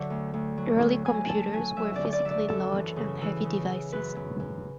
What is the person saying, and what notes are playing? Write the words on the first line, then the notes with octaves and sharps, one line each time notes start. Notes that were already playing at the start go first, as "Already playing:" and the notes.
Early computers were physically large and heavy devices.
Already playing: D3 F#3 D5 E5 F#5
D2
D2
F#3
D2
D2 G#5
D2 A5
F#3 G#5
F#3 E5
D3 D5
D5
F#3 E5
D5
F#2 A4
E3
C#3
E3
C#3
E3
F#2 B4
F#2
F#2